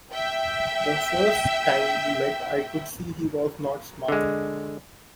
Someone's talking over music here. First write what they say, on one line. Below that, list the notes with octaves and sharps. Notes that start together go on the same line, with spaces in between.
The first time we met I could see he was not smart.
E5 G5
D3 G#3